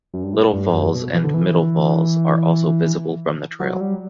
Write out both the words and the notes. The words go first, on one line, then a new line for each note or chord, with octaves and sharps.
Little Falls and Middle Falls are also visible from the trail.
F#2
G2
A2
G2
F#2
B2
E3
D3
E3
F#3
F#3
G3